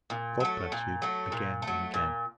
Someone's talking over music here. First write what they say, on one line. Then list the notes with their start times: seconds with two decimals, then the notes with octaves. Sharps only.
God bless you, again and again!
0.10 A#2
0.40 F#3 A3
0.72 A#2
1.02 F#3 A3
1.32 A#2
1.62 A3
1.67 F#3
1.94 A#2